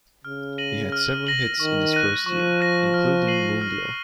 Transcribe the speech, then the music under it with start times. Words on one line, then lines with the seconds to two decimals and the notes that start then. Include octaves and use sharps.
He had several hits in his first year, including Moonglow.
0.25 C#3 F6
0.58 A#6 D#7 F#7
0.92 F6
1.27 A#6 D#7 F#7
1.60 D#3 C#6
1.93 F#6 A#6 D#7
2.26 F3 C#6
2.61 F#6 A#6 D#7
2.94 F6
3.27 C7 D#7 F#7
3.61 F6